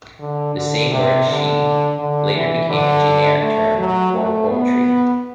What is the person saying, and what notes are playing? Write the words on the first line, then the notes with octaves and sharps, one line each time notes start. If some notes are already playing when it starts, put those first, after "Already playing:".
The same word "shi" later became a generic term for poetry.
D3
D3
C3
D3
D3
E3
D3
A3
F#3
A3
B3